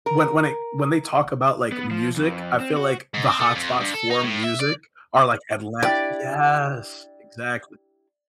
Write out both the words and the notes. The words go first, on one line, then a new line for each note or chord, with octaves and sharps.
when when it when they talk about, like, music, I feel like the hot spots for music are like Atlantic Yes, exactly.
A#4
B3
F3
F2
C4
F#4
G#2
C4
A3
F2
G2
A4
D#4
A2
E5
D5
D4 E4 G4 D5